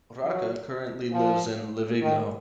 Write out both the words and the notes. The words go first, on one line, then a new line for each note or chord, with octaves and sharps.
Rocca currently lives in Livigno.
F#3
F3
D#3